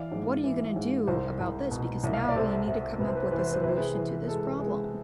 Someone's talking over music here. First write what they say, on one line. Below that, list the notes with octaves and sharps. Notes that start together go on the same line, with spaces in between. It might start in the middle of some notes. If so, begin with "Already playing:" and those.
what are you gonna do about this, because now you need to come up with a solution to this problem."
Already playing: E3 D5 F5
G#2
E3
G#2
C2 C5 E5
C2
B2
C2
F5
E5
D5
C3 A4 C5
C3
C3 B4
C5
B4
C5
E3 B4
C5
B4
C5
C3 B4
C5
G#4 B4
E3
G#3 A4
G#3